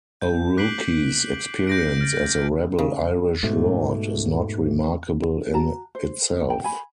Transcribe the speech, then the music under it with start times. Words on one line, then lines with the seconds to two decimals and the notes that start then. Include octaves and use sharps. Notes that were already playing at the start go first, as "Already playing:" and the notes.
O'Rourke's experience as a rebel Irish lord is not remarkable in itself.
0.21 G6
0.57 D6 F#6 B6 C7 D7 F#7
1.67 G6 A#6 D7
2.01 F6 A6
2.79 C#3
3.43 G#2 B2 A3
5.53 F#4 A5 A#5
5.95 C5
6.50 G5
6.64 G#5 B5